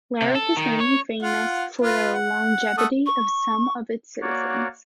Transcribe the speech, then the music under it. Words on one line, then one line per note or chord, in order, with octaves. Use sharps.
Lerik is mainly famous for the longevity of some of its citizens.
C3
A4
D#3
C#5
F4 F5 F#5
F4 B4
F#5
A3 F#5 D#6
C#6
A#3 F#4 C#5 D5 F#5